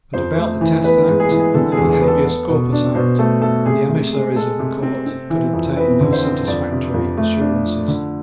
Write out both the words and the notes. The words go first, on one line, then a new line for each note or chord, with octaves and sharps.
But about the Test Act and the Habeas Corpus Act the emissaries of the Court could obtain no satisfactory assurances.
F2 C5
A3
E3
B3 B4
G#2
G#4
E3
G#4
D3 A4
G#4
E2
G#4
B3
A4
B3
B2
D4
B2 C5
A3 A4
A3 A4
C3 G#4
C3
G#3
G#3 A4
C3
C4
C4
E3
F2
C4 B4
D3
C5
C4
F2 D5
C3
F2
A3
D4
F3
D3